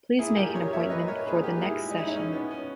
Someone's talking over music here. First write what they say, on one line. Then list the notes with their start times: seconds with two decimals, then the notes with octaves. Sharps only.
Please make an appointment for the next session.
0.19 A#2 E4 G#4
0.36 G4 A#4
0.46 A#2
0.55 A#4 C#5
0.73 A#3 C#5 E5
0.90 B4 D#5
0.99 A#3
1.08 A#4 C#5
1.26 A#2 G#4 B4
1.43 G4 A#4
1.54 A#2
1.62 E4 G#4
1.80 G#3
1.91 D#4
1.97 C#4 E4
2.06 G#3 D#4
2.16 C#4
2.33 B2 B3
2.51 C#4